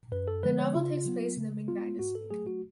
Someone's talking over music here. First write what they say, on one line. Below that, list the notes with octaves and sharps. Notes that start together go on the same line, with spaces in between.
The novel takes place in the Ming dynasty.
F#2 B4
A4
D3 F3 G#3 B3 B4
C#5
C#3 F4
F#3 B3
C#3
G#3 B3 F4
G#2 F#4
A4
F#3 A3 G#4
F#4